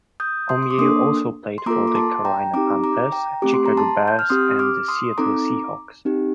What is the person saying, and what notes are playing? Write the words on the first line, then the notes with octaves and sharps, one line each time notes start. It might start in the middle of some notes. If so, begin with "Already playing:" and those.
Omiyale also played for the Carolina Panthers, Chicago Bears, and the Seattle Seahawks.
D#6 G6
C6 D#6
C6
D6
A#3 D4 A4 C6 D#6
C6
A#3 F4 A4 A#5 D6
D6
A5 C6
G5 A#5
C4 D#4 G4 A#5 D6
A#5 D6
G5 A#5
A3 C4 G4 D6
C6
A#5
A5 C6
G6
F6
C4 G4 C6 D#6
D6 F6
C6 D#6
C4 D#4 A4 A#5 D6
C4 D#4 G4